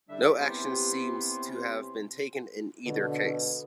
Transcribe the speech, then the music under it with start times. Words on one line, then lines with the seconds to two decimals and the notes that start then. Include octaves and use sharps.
No action seems to have been taken in either case.
0.09 D3 G3 D4 E5
0.38 C3 B3 C#4 E4 G4 C5
2.85 B2 D3